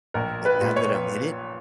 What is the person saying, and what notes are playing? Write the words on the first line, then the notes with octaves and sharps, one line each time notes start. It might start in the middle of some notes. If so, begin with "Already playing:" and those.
But now that I'm in it,
A#1 A#4
B4
A#2
C#5